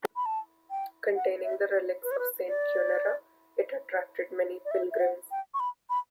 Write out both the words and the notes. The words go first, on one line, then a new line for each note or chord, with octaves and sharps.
Containing the relics of Saint Cunera, it attracted many pilgrims.
B5
A5
G5
F#5
E5
B4
C#5
B4
D5
D5
E5
E5
F#5
G5
C#6
B5
B5